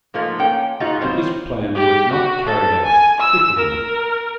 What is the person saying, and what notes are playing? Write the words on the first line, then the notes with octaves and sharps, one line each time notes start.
But this plan was not carried out quickly enough.
G#2 F3 A3 A#3
A#3 C#4 G5
G#2 D#4 F4 F#4 G#4
G3 C4 F4 C5 C#5
G4
F#4
A4
G#5
E6
A#4